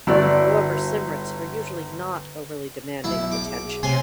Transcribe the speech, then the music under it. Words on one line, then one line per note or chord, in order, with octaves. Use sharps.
However, Cymrics are usually not overly demanding of attention.
G1 E4 F#4 D5
B1 E4 E5
G#4 D6 D7
C3 C#5 G#5 C6